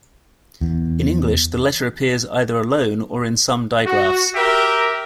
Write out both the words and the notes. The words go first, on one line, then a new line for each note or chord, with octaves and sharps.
In English, the letter appears either alone or in some digraphs.
E2
F#4
G4 A#4 E5